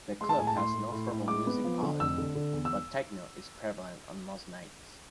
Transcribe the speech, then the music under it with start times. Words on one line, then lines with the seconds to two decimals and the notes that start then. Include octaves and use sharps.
The club has no formal music policy, but techno is prevalent on most nights.
0.20 G#3 C6
0.29 A5
0.38 A2 G#5
0.47 A5
0.56 A2 C6
0.74 A2
0.92 A2
1.11 A2
1.28 G#3 D6
1.47 B3
1.64 F3
1.82 D3
2.00 F1 E6
2.18 D3
2.35 D3
2.53 E2
2.65 E6